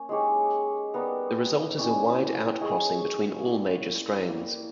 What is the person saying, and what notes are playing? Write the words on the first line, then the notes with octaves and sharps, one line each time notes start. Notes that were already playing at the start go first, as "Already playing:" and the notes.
The result is a wide outcrossing between all major strains.
Already playing: A#3 C#4
G#3 D#4 G4 C#5
G3 B3 D#4 A#4
G3 C#4 E4
D#4 G#4 C#5 E5
G3 A#3 E4
G3 A#3 E4